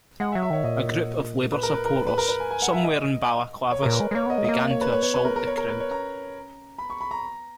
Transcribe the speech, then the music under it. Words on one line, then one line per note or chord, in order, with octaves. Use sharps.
A group of Labour supporters, some wearing balaclavas, began to assault the crowd.
G#3 F#5
E5
F#3
E5
D#3 C#5
A#2 D#5
B4
A#4
B4
A#4
G#2 B4
B4
A#4
B4
G#5
G#5
F#5
E5
A#2 D#5
G#2 C#5
A#2 A#4
B4
G#3
G#3
A#3 C#5
B3 D#5
G#3
A#3 D#5
C#5
B4
C#5
B3 C#5
B4
A#4
A#4
C#5
A#4
B4
C#5
C#4 A#5
B3 B5
C#6
B5
A#5